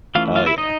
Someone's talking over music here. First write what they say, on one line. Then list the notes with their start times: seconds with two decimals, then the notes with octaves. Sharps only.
Oh, yeah.
0.15 E3 A3 C#4 F4 F5
0.36 F4 F5
0.46 E4 E5
0.58 D#4 D#5